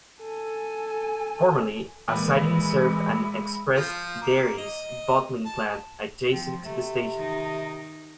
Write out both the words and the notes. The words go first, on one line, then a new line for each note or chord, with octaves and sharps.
Formerly, a siding served an Express Dairies bottling plant adjacent to the station.
A4 G#5
A#2 E3 G#3 E5 B5 E6
F3
A#3
D#5
A5
F3 C4
C3 A3
D#3 D#4